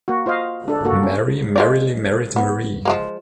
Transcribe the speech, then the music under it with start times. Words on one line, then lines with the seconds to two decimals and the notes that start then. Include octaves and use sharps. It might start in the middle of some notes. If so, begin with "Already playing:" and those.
Mary merrily married Marie.
0.08 A#3 F#4
0.26 F4 C5 D#5 F5
0.68 D4 A4
0.85 A#3 F#4 A4
1.03 C#4
1.56 G#3 F4 D5
2.36 B3
2.85 F3 G#3 A#3